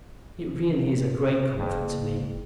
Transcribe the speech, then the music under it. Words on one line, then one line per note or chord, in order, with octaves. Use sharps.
It really is a great comfort to me.
F#1